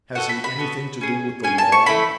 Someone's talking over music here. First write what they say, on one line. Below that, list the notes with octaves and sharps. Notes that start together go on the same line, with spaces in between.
Has he anything to do with the law?'
B3 F#4 A4 F#5
B5
B5
B3 F#4 A4
C#4 G#4
C#4 G#4 G#5
A5
C#6
A3 E4 A4 B5